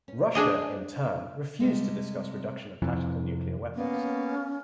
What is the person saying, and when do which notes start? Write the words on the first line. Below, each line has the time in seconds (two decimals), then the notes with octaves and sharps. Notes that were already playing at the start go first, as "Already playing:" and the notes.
Russia, in turn, refused to discuss reduction of tactical nuclear weapons.
0.08 C#4
0.35 D4 G#4 D#5
1.60 C3 G3 G#3
2.82 F2 C3 E3
3.75 A#3 B3 C#4